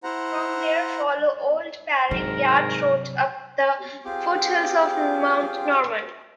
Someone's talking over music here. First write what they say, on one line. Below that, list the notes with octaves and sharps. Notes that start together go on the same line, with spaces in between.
From there follow Old Paling Yard Road up the foot hills of Mount Norman.
E4 C5 F#5 A#5
G#2 C3 F#3 D4 A#4
C4 F4 G4 G#4 D6